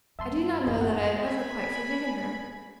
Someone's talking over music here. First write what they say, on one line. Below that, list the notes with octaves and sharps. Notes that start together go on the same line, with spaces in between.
I do not know that I have ever quite forgiven her.
G2 E5 A5 C6
A1 F#2 D#4 G#4
B3 F#5
G#5 B5